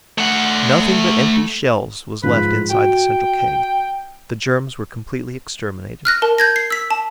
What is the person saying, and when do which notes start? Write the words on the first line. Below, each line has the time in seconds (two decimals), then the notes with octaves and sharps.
Nothing but empty shells was left inside the central keg; the germs were completely exterminated.
0.18 A3 F#5
2.23 G#2 F3 B4
2.71 F#4 G5
6.05 F6 F#6 A#6
6.22 A#4 A5
6.38 G6 G#6 A#6
6.56 C7
6.70 E6 B6
6.90 A5